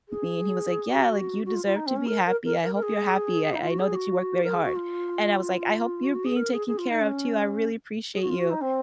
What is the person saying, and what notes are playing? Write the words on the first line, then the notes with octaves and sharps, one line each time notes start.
me." And he was like, "Yeah," like, "you deserve to be happy, I hope you're happy, I I know that you work very hard." And I was like, "I hope you're being taken care of, too, I really appreciate you."
G#4
F#4
F#4
F4
F4
D#4
C4
C#4
A#4
A#4
A#4
A#4
A#4
G#4
D#4
F4
F#4
G#4
F#4
A#4
G#4
F#4
F4
F#4
F4
F#4
G#4
A#4
G#4
G#4
F4
D#4
C#4
G#4
F#4
F4
F#4
D#4
C4